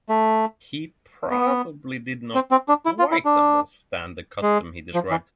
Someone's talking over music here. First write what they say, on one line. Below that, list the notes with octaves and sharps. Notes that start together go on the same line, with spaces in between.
He probably did not quite understand the custom he described.
A3
B3
C4
C4
D4
E4
F4
E4
D4
G#3
F3
E3